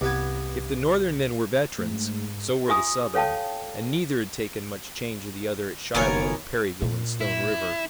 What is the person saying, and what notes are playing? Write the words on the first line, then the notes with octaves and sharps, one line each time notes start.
If the Northern men were veterans, so were the Southern, and neither had taken much change of the other at Shiloh, Perryville and Stone River.
C2 G2 B3 G#5
G#2 A3
F4 G4 E5 G#5 D#6
A4 C#5 F5 G5 A5
F#1 B2 D#3 A#3 B3 A#4 C#5 G#5
A#2
E4